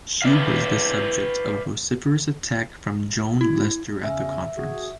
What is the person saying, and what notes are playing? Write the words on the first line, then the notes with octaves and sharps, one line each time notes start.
She was the subject of a vociferous attack from Joan Lestor at the conference.
B4 D5 E5 F5
E4
E2 C#3 C#4 E5
F#4 G#4